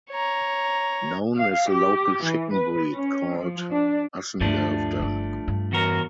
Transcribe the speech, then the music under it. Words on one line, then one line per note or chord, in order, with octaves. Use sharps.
Known is the local chicken breed, called "Assendelfter".
C#5 A#5
F5
G4
E3
B4
C#4
F3
D4
D2 G2 F3 A3 D4
G1 D3
G2
E2 F#4 A#4